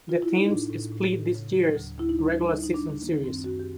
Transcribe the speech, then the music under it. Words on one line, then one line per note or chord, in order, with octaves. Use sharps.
The teams split this year's regular season series.
F4
E4
D#4
A2 D4
A2
A2
A2
C#3
F#3
D2
D2 E4
D#4
G3 D4
G3
D#4
G3 D#4
D4
G3
D#3 A#3
F#2 C4
F#2 F#4
G4